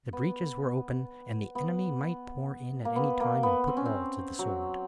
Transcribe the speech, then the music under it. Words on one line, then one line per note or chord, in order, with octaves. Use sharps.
The breaches were open, and the enemy might pour in at any time and put all to the sword.
B3
B3
A#3
B3
A#3
B3
C4
C#4
C4
F#3